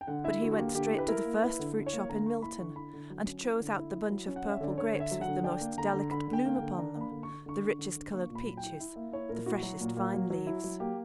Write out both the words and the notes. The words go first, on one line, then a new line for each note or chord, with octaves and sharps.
But he went straight to the first fruit-shop in Milton, and chose out the bunch of purple grapes with the most delicate bloom upon them,--the richest-coloured peaches,--the freshest vine-leaves.
G5
D3 F#5
E4 E5
D3 F#4
F#4
A#3 G4
D3 G4
E4
B4
E4 A#4
A#3
E4 B4
D3
E4
C#5
A#3
D3 A#5
A#3 C#6
E4 B5
D3 C#6
E4 B5
D3
F#3
C#4
E4
D3
E4
E4
F#3
C#4
F#5
C#4
E5
D3 D5
D3 C#5
D3
E5
F#3
F#5
D3
D4 G5
A#3
D3 A#5
D3
D3 B5
D3
G5
A#3
G5
D3
D4 A#5
A#3
B5
D3
D3 C#6
D3 C#6
D3
D3
D3
A#3 C#6
A#2
B5
F#3
G5
E4
E4
A#3 E5
E4 C#5
A#2 A#4
E4 F#4
F#3
A#2
A#3
F#3
F#3
E4
F#3
A#3 G4